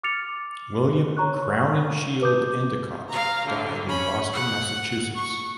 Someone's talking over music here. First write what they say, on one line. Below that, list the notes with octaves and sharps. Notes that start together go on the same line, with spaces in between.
William Crowninshield Endicott died in Boston, Massachusetts.
D6 F6 A6 C#7 F7
C#5 A#5 C#6 F#6
F#4 B4 D6 D#6 G6
F5 A#5
D3
C#4 B5
F#5
C#6